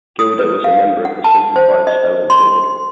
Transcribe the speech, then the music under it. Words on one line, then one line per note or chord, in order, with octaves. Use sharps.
Gilder was a member of the Simplified Spelling Board.
D#6
B4
F5
F#5
A5
C5
D#5
C6